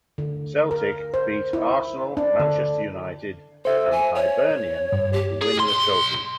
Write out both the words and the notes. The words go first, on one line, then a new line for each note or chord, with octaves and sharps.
Celtic beat Arsenal, Manchester United and Hibernian to win the trophy.
D3
A#4
C5
E4
D4
D3
A4 C5 E5
G#5
C#5
G2
G4
G#4
B1 C6